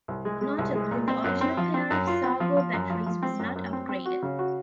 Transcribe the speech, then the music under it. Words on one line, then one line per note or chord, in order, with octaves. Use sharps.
Notably, the original pair of Sargo batteries was not upgraded.
C2
G#3
G#3
C2
G#3
A#2
C4
F#2
C4
F3
C4
F#2
F4
C4
F3
F3
F#2
F3
F3
C4
F#2
F#2
C4
C4
F#4
C#3
F#4